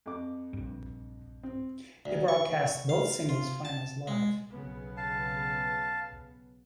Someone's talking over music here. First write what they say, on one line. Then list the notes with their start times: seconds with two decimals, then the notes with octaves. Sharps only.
It broadcasts both singles finals live.
0.06 F2 D6
0.53 A#1 G2
1.43 C4
2.05 D2
2.28 C#6
2.89 F5
3.29 F4
3.65 A5
4.07 G#3
4.53 B1 C#3 B3
4.97 F5 A5